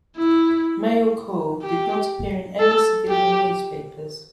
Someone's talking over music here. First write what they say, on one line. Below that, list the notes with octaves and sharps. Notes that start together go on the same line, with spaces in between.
"Male Call" did not appear in any civilian newspapers.
E4
G4
A4
G4